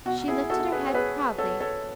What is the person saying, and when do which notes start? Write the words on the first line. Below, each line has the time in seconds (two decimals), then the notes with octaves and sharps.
She lifted her head proudly.
0.06 B2 F#4
0.28 E4 G#4
0.50 B2 F#4 A4
0.72 G#4 B4
0.87 C#5
0.94 B3 G#4 B4
1.38 B3 A4 C#5
1.60 A4 C#5